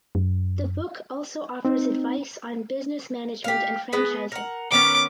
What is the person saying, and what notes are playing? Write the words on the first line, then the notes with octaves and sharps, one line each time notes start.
The book also offers advice on business management and franchising.
F#2
C4 D#4
G4 F5
G#3 B3 B4
A#4 F#5
D#3 B3 C#4 D6